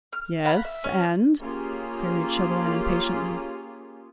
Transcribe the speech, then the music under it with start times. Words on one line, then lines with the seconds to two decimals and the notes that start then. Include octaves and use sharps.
"Yes--and?" queried Chauvelin, impatiently.
0.13 F6
0.45 F5 F#5 A#5 B5
0.65 E5
0.84 C#4
1.41 A#3 C#4 F4 G4 G#4